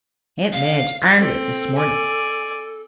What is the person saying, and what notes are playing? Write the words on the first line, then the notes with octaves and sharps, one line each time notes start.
"Aunt Madge ironed it this morning."
F5
C4 A4
D5 G#5